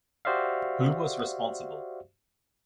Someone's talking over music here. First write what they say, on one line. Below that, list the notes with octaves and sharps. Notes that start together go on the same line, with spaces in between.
Who was responsible?
F#4 G4 C5 D5 E5 F5